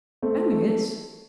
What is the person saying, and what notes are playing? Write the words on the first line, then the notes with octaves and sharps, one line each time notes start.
"Oh, yes."
A3 C4
A3